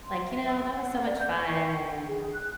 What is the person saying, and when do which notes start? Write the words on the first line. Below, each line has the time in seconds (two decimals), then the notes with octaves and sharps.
like, "You know, that was so much fun, and,
0.03 C6
0.27 E5
0.46 E6
0.74 F#5
1.05 D5
1.18 G6
1.36 C#6
1.67 G5
2.07 G#4
2.33 F#6